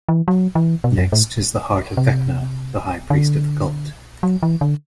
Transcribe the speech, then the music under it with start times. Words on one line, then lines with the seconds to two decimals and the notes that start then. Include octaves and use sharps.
Next is the Heart of Vecna, the high priest of the cult.
0.09 E3
0.28 F#3
0.55 E3
0.84 B2
0.98 F#2
1.12 A2
1.97 C3
3.10 D3
4.23 F#3
4.43 E3
4.61 D3